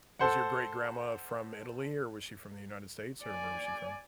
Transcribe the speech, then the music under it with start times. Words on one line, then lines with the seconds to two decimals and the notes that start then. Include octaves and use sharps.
was your great grandma from Italy or was she from the United States or where was she from?
0.19 A4 C5 F#5
3.23 D5 G#5